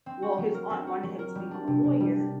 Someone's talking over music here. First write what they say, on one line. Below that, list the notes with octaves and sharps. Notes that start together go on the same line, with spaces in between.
well, his aunt wanted him to become a lawyer,
C4
F#4
F#3
A#4
C4
F#4
F#3
A#4
G3
D4
C3
C3
G3
D4